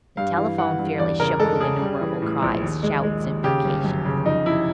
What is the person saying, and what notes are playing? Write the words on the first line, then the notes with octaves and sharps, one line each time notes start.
The telephone fairly shook with innumerable cries, shouts, imprecations.
G2 F5
E3
E3 F#5
G2
E2 D5
C#3 A#4
G#3 A4
C#3 G#4
G3
E3
A2
A#1
D#2
G#3
G#3
D#2
C#3 G4
G1
F#2
C#3
F2 D#4
C3 E4